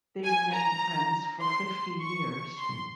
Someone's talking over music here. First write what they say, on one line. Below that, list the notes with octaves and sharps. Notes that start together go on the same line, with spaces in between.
They remained friends for fifty years.
G#5
A#5
C6
C#6
C6